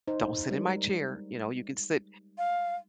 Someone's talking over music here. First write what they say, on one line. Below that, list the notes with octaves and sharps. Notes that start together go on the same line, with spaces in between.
"Don't sit in my chair." You know, "You can sit"
D#4 C5
G3 G#3 A#4
F5